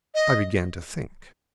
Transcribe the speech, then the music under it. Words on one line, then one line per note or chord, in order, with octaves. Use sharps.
I began to think.
D#5